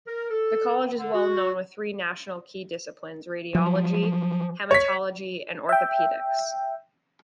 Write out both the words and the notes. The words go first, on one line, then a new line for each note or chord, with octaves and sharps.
The college is well known with three national key disciplines: radiology, haematology and orthopaedics.
A#4
A4
D3
F#4
F3 F#3
C#5 B6
E5 G5